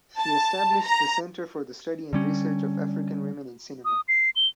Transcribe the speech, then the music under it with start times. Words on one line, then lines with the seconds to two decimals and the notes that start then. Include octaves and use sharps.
She established the Centre for the Study and Research of African Women in Cinema.
0.17 A5
0.83 A#5
2.13 D3 G3 C#4
3.85 D#6
4.08 C7
4.36 G7